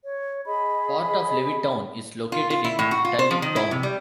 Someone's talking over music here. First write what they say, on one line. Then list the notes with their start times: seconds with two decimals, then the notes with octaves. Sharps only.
Part of Levittown is located in Tullytown.
0.04 C#5
0.46 G#4 D#5 B5
2.32 F4
2.50 F4
2.64 E4
2.79 A2
2.91 F#4
3.05 F4
3.19 C5
3.31 F3
3.42 D#3
3.56 E4
3.71 C3
3.83 G3